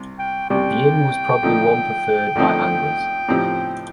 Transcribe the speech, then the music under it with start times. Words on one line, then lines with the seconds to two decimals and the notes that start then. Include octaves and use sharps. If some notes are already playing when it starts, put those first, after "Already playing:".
The inn was probably one preferred by anglers.
Already playing: C2 C3
0.19 G5
0.50 C2 C3 G3 G5
1.43 D3 F3 A3 C4 D#4
2.36 D3 F3 A3 C4 D#4
3.28 A2 F3 C4 D#4 G4